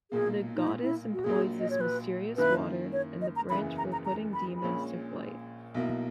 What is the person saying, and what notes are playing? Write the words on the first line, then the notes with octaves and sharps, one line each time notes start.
The Goddess employs this mysterious water and the branch for putting demons to flight.
B1 A#2 A#3 G#4
D#4
E4
E4
F#4
A#1 A#2 F#3 G#4
D#5
C#5
B4
F#2 D#3 A#3 E4 B4
C#5
D#5
A#5
F#1 E2 C#3 E3 B3 B5
A#5
A#5
A#5
B5
B5
A#1 A#2 G#3 C#4
B1 B2 A#3 E4